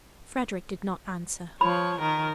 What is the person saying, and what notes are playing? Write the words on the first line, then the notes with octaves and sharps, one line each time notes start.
Frederick did not answer.
F3 C#5 B5
D#3 A#4